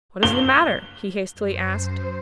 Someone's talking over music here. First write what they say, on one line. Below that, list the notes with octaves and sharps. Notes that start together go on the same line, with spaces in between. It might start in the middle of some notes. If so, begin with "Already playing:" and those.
"What is the matter?" he hastily asked.
G7
F#2 C5